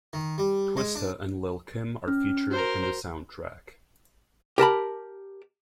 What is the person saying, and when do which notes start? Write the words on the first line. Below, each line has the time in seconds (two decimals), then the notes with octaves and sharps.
Twista and Lil' Kim are featured in the soundtrack.
0.13 D#3
0.38 G3
0.77 G#3
0.95 D4
2.08 C#4 F6
2.51 F#4 A#4 C5
4.58 G4 A#4 A5 B5